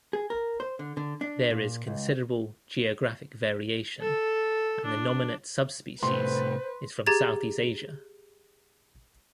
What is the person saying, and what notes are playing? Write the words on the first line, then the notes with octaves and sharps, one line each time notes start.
There is considerable geographic variation and the nominate subspecies is from Southeast Asia.
G#4
A#4
C5
D3
D3
D4
A#2
C#2
A4
D4
A2 C3 A3 B4 C5 C6
G4 G#4 A#5 G#6 A6